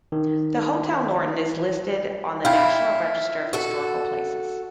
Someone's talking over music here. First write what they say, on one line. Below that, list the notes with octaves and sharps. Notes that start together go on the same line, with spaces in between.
The Hotel Norton is listed on the National Register of Historic Places.
D#3
E4 F4 F5 G5 B5
F#4 A4